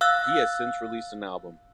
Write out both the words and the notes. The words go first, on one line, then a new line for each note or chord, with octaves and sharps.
He has since released an album.
F5 E6 F#6 A6